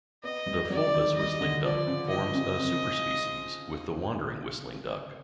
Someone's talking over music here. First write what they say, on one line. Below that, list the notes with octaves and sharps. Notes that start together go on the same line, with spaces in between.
The fulvous whistling duck forms a superspecies with the wandering whistling duck.
B3 D#5
G3
F#3 D5
D#3
G3 D#5
D3
F3 D5
C#3
F3 D#5
C#3
C4